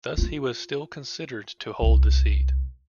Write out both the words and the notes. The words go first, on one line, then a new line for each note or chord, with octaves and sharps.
Thus he was still considered to hold the seat.
F4
C2